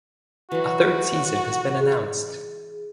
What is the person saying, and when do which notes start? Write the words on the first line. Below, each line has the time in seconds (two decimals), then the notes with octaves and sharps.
A third season has been announced.
0.52 E3 F#3 F#4
1.80 G#4